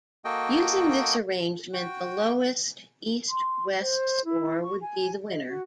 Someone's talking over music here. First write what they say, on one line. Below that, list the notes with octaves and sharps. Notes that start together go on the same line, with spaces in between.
Using this arrangement, the lowest East-West Score would be the winner.
A#3 F#4 A4 D#5 G5
F#4 G5
C6
C5
E4
C#6
G#5
D#5
F#4